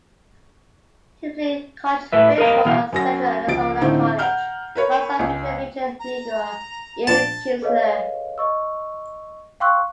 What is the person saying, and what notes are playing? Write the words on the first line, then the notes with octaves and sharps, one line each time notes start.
He played college baseball at Central Arizona College, alongside future major leaguer Ian Kinsler.
A2 B4 E5
A#4 B4 D#5 F5 A#5
B2 E3 F5
F#2 F#4 A#6
C#2 F3 A6 D7
A2 D3 C4 D#4
F#5 A#5 F6 G6
A#4 B4 C#5
C#2 G#5
A#5
A#2 F3 D4 A5
G#4 A4 B4 C#5 D#5 F5
D#5 C#6 E6
F5 G5 C6 C#6 E6 F#6